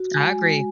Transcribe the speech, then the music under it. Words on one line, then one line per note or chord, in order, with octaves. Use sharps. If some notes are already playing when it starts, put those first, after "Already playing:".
I agree.
Already playing: F#4
G#3 G#5
G#3